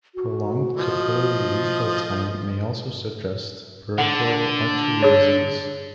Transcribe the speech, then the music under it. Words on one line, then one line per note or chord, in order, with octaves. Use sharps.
Prolonged capillary refill time may also suggest peripheral artery disease.
F#4
F3 D#5
D3 F#5
G#4 C#5